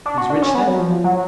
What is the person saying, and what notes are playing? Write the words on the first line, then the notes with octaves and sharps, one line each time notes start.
"He is rich, then?"
D4
F#4
D4
C#4
B3
F#3
F3
F#3